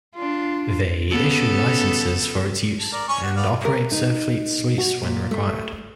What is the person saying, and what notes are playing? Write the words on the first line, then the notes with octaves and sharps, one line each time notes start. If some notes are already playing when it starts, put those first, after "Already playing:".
They issue licences for its use, and operate Surfleet sluice when required.
D4 F4
C#3 B3 A4
A5
A#4 D5
C#4 C#5 C#6
F#5
B3 D5 F5
A#4
D#4
F#4
A#2
A3